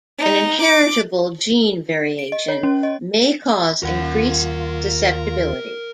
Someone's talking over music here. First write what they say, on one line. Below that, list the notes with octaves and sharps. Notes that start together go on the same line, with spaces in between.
An inheritable gene variation may cause increased susceptibility.
D#4
D6
D7
D#5
C#5
C#4
D#5
D#2 F4 A#4 F#5